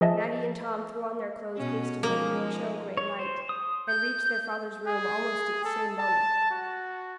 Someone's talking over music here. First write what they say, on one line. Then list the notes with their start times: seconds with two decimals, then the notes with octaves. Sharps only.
Maggie and Tom threw on their clothes hastily in the chill gray light, and reached their father's room almost at the same moment.
0.01 F3 G#4 D#5 E5 A5
1.57 B2 C#4
2.03 F3 G#3 A#3 D#4
2.97 C#5
3.19 C5
3.49 D#6
3.88 G6
4.87 G#4
5.65 A4
5.99 A5
6.51 F#4